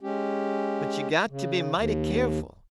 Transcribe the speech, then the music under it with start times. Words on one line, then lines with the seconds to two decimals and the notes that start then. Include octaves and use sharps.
But you got to be mighty careful.
0.01 G#3 C#4 G4
1.30 C#3
1.77 D#2